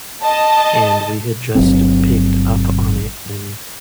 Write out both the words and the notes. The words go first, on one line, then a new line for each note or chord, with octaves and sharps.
and we had just picked up on it in
D#5 A5
G1 F#3 C4